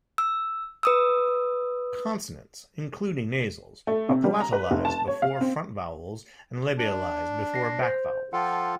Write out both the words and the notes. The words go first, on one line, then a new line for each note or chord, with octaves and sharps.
Consonants, including nasals, are palatalized before front vowels and labialized before back vowels.
E6
B4 D#6 E6
A3
C3
G3
A#5
B4
F1
A5
C#5
F5
C4
D4
A#6 C7
C5
F3 F4 A4 F#5 G5